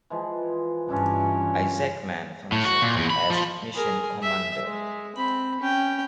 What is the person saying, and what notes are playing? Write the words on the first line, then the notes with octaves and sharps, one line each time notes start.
Isaacman functioned as mission commander.
E3 F3 G#3
G2 E3 C#4 D4 E4 F4
A2
F#4
A#2
E2
B5
F3
G#4 A#4
E5
G#3
C4 B5
C#4 G5